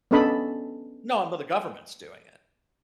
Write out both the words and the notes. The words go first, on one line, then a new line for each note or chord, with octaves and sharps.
No, but the government's doing it.
B3 C#4 D4 A4 D#5 B5